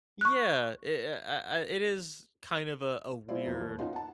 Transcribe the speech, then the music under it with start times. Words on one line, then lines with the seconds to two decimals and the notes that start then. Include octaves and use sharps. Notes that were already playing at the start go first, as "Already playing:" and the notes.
Yeah. I uh uh, I It is kind of a a weird,
0.21 C#6 F#6
3.28 F#3 G#3 C4 E4 F4 D5
3.46 E2 A#2 F3 F#3 A#3 E4
3.61 D#2
3.79 B3 C#4 D#4 F4 F#4
3.93 F#5 A5